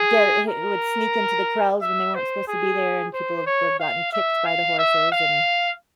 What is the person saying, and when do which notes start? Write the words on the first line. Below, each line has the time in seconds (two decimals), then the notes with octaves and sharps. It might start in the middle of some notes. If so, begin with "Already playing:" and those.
get who would sneak into the crawls when they weren't supposed to be there, and people have were gotten kicked by the horses, and
Already playing: G#4
0.49 A#4
1.81 E5
2.15 C5
2.48 G#4
3.14 C5
3.46 C#5
3.79 F5
4.13 E5
4.46 F5
4.78 E5
5.12 F5